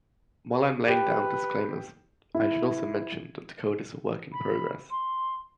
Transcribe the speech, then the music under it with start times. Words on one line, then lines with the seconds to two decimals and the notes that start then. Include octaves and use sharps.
While I'm laying down disclaimers, I should also mention that the code is a work in progress.
0.88 G4 B4
2.35 E4
4.32 B5
4.90 C6